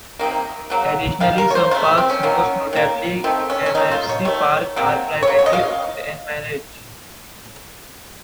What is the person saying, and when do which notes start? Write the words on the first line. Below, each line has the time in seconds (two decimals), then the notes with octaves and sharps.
Additionally, some parks, most notably Gramercy Park, are privately owned and managed.
0.19 C3 D#3 A#3
0.70 C#3 F#3 A#3
1.20 D#3 A#3 F5
1.38 A#4
1.50 C#5
1.55 C5
1.71 C#3 F4
1.75 A3
1.98 C4
2.10 C#4
2.23 D#3 F#3 A#3
2.73 D#3 A#3
3.24 D#3 A3 C4
3.50 C#4
3.66 C#4
3.75 D#3 A3 D#4
3.92 F4
4.09 C#5
4.25 D#3 A3 C#5
4.76 C3 F#3 A#3
5.23 C#5
5.28 C#3 F#3
5.39 C#5
5.46 D#5
5.53 F5